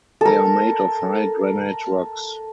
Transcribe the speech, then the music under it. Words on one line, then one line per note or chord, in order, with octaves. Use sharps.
They are made of high granite rocks.
A4 A#4